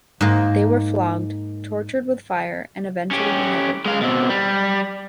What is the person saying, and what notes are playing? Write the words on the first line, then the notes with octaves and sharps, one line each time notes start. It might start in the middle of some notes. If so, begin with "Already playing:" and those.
They were flogged, tortured with fire and eventually beheaded.
G#2 A#3
C#4 G4
G#3 F5
B2 C4
G3